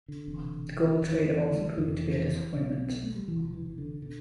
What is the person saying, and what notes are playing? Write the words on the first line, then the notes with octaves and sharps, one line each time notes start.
The gold trade also proved to be a disappointment.
D3
E1 E2 C3
F1 F2 D3 E3
A3
G3
F3
F1 F2 C3 E3
B1 B2 D4
C4
D4
C4
B3
A3
G3
E1 D2 C3 E3
F3
E3
E3
D3
B2 D3